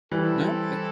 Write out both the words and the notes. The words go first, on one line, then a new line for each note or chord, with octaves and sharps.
No, uh
E3 G3 C4 E4 A4